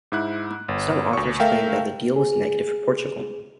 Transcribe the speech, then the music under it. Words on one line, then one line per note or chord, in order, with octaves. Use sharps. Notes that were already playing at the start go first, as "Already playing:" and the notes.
Some authors claim that the deal was negative for Portugal.
G#2 E4 F#6
G1
D2 C#6
A3 A#4 E5 F5 G5
G#4